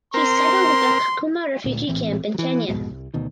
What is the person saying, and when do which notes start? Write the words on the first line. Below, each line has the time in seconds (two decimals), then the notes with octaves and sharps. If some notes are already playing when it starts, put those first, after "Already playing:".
He settled at the Kakuma Refugee Camp in Kenya.
0.14 C4 A#4 C6
1.64 D2 A#2
1.87 A#1 A2 E3 C4
2.34 E3 F#3
2.68 C2 F2 G#2 B2
2.90 C2
3.14 D2 B2 D#3